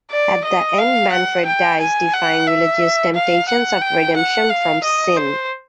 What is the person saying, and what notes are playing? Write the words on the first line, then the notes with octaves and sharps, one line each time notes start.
At the end, Manfred dies, defying religious temptations of redemption from sin.
D5
D#5
F5
F#5
G5
G#5
F#5
E5
F5
F#5
G5
F#5
F5
D#5
C5